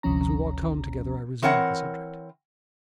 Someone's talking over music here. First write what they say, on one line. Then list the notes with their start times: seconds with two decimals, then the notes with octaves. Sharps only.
As we walked home together I resumed the subject.
0.03 G#1 D2 C3 F3 C#4 A#5
1.42 E3 C4 A#4 C#5 D#5 F#5